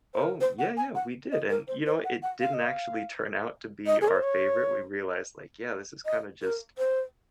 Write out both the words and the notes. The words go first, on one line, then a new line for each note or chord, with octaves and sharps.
Oh, yeah, yeah, we did, and you know, it didn't actually turn out to be our favorite, we realized, like, "Yeah, this is kinda just"
C5
A#4
C5
F#5
G#5
F#5
D#5
A#4
C5
C5
F#5
F#5
F5
D#5
F5
D#5
G#4
A#4
C5
C#5
D#5
A#4
C5